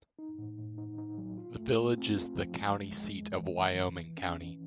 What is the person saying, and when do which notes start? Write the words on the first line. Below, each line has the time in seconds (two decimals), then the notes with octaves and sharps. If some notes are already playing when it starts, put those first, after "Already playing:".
The village is the county seat of Wyoming County.
0.19 D#4
0.38 A2
0.58 A2
0.78 D#4
0.98 D#4
1.18 F#3
1.38 F4
1.58 A3
1.78 F4
1.98 C4
2.18 F4
2.38 F3
2.57 G#3
2.78 G#3
2.98 G#3
3.17 E2
3.37 E3
3.58 E3
3.77 E3
3.98 E3
4.17 C#4
4.37 E3